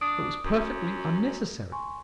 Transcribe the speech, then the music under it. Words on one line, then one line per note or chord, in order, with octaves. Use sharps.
It was perfectly unnecessary.
D4 D6 D#6 D7
F#2
G#5 C6 C#6